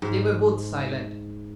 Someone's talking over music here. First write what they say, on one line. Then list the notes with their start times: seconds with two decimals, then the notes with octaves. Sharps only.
They were both silent.
0.02 G#2